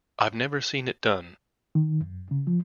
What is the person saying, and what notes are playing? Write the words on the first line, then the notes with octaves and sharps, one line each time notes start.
I've never seen it done.
D#3
F#2
C#3
F3